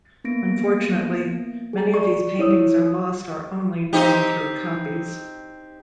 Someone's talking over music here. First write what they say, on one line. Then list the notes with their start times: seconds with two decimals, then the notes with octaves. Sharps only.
Unfortunately, many of these paintings are lost or only known through copies.
0.24 A#3 B3 A#6 D7
1.73 G#4 A#5
1.94 D5 C#6
2.39 E4 C#5 D#6 E6
3.93 C4 D#4 G4